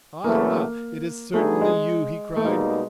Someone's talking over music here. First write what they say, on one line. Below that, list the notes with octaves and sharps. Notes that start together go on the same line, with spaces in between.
"Ah, it is certainly you!" he cried.
E2 C#3 F#3 A3 A#3
D3 G3 A3 B3 D#4 G#4
G#3
A3
B2 G3 G#3 A#3 D#4